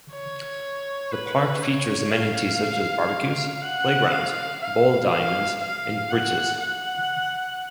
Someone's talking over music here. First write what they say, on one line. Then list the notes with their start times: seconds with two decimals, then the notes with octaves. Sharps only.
The park features amenities such as barbecues, playgrounds, ball diamonds, and bridges.
0.13 C#5
1.12 B4
1.62 C#5
2.12 F5
3.62 F#5
4.11 F5
4.61 F5
5.11 F5
5.61 F5
6.11 F#5
6.60 F#5